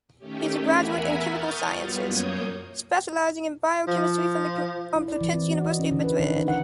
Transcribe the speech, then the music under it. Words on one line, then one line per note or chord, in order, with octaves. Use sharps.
He is a graduate in Chemical Sciences, specializing in Biochemistry from the Complutense University of Madrid.
D#3 A3 C#4 G4
E2 A#4 E5 F#5 G#5 B5
C#6 D#6 F6 G6 A6
F#3 G3 B3 F4
F#2 A#3 C#5 D#6 G6 G#6
F3
E4
D5
E3
C4
F#4
D#5
C#4
D3
B4
D#3
D#4
F#5